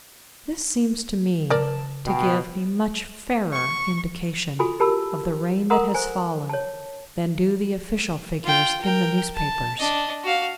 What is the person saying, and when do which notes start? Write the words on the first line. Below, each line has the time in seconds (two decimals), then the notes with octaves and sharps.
This seems to me to give a much fairer indication of the rain that has fallen than do the official figures in the newspapers.
1.50 C#3 A#4 D5 A5
2.06 B2 G5
3.53 C#6
4.59 F4 F#4 A4 G#5 B5 C6
4.80 G4 A#4 A5 B5 E6
5.70 A4 A#4 F#5 A#5 C6 D#6
5.95 C5 G#5
6.49 C#5 A5
8.45 F4 G5
8.81 A#4 G5
9.35 A5
9.79 D4 D#5
10.24 F#4 F5